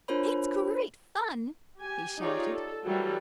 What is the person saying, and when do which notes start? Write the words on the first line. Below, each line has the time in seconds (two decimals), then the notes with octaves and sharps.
"It's great fun," he shouted.
0.08 D4 F4 A#4 C5 C#5 B5
1.78 G4 G#5
2.18 D#4 F4 G4 G#4 C#5 D5
2.52 A4
2.85 E3 F#3 G3 A4 A#4